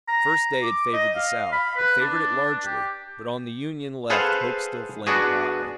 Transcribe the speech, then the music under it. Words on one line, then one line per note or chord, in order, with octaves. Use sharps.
The first day had favored the South, had favored it largely, but on the Union left hope still flamed high.
A#5
D6
D#5
F5
B5
B4
D4
G4
G#4 A4 B4 C5 F5 F#5
B3 D4 F#4 G#4